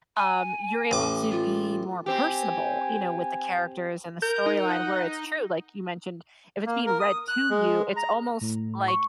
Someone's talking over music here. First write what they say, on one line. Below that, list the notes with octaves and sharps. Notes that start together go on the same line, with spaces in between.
um, you're able to be more personable, you know, with the characters and the storyline where it's true, like you mentioned, if it's being read to you, it's almost, like,
G#5
A1 D6
F4
C4 G4 G#5
A#4 G6
D#4
F#5
A#3
A#4
D#6
F#6
G#3
A#5
A2
C#6